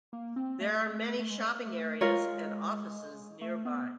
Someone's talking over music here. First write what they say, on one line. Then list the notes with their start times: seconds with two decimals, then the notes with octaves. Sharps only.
There are many shopping areas and offices nearby.
0.13 A#3
0.36 C4
0.60 A3
1.19 A3
1.30 G#3
1.55 A#3
1.66 A3
2.01 G#3 F4 A#4 C#5
3.41 A3
3.65 B3